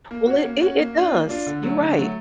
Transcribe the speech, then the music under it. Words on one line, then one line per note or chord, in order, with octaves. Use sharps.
Well, it it does, you're right.
A#3
C#4 F#4
A#3
C#4 F#4
A#3
D4 F4
A#3
D4 F4
D3
F#3 A3
D3
F#3 A3